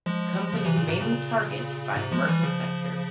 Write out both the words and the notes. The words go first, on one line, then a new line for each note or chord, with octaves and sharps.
Company mainly target by commercial sector.
F3 G#3
C#3 F3
C3 E3
A#2 C#3
G#2 C3
A#2 C#3
G#2 C3
F3 G#3
E3 G3
C#3 F3